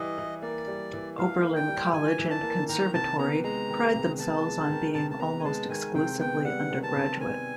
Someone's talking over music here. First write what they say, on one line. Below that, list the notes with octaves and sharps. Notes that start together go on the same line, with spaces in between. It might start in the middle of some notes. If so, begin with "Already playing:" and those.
Oberlin College and Conservatory pride themselves on being almost exclusively undergraduate.
Already playing: E3 G3 D#5
E3
A#3 D5
G3
E3
E3 F5
A#3
G5
G3
E3 G#5
E3
A5
A#3
D#3 A#5
C3 A5
B3 A#5
G#3 A#5
D#3
C3
B3 A5
G#3
D#3
C3 A5
A5
B3 A#5
G#5
G#3 A5
D#3 G#5
C3 G5
B3 G5
G3 F#5
D#3
A5
C3
B3 G#5